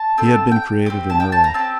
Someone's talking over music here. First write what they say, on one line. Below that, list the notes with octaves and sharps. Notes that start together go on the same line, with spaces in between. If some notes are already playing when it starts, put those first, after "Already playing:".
He had been created an Earl.
Already playing: A5
C4 F4 A4
G5
C4 G4
A5
G5
A5
A#5
C4 G4 A5